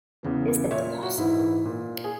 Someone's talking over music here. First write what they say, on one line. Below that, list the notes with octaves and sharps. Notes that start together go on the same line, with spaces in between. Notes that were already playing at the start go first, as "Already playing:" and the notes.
Is that possible?
E2 C#3 E3
A#2 C#5 E5
F#4
G#2 E3 E4
A#2
G#4